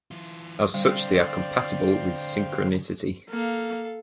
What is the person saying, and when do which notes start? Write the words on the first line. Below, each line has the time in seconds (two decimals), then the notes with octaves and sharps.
As such, they are compatible with synchronicity.
0.11 E3 F4
0.74 D3 G3 C4 C5 D5 F5 G5
3.30 A#3 A4 F5